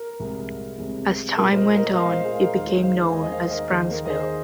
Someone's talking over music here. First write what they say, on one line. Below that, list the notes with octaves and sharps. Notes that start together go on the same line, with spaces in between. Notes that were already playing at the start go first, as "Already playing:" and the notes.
As time went on, it became known as Franceville.
Already playing: A#4
C2 C3 G#3
C2 C3 G#3
A#2 G#3 A#4
C5
A#4 D#5
A#4 D#5
A#2 G#3 C5 F5
C5 F5
G#4
A#4
D#2 D#3 G#3 C5 F5
C5 F5
D#2 D#3 G#3 D#5 G#5
D#5
C5 F5
A#4 D#5
D#2 D#3 A#3 G#4 C5
A#4
D#5
G#4 C5